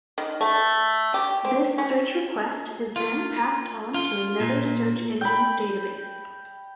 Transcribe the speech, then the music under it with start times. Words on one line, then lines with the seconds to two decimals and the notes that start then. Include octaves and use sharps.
This search request is then passed on to another search engine's database.
0.18 D#3
0.41 A3
1.14 G4
1.45 C4
1.78 C#4
2.96 F4
3.94 F4
4.40 A#2
5.21 G5 B5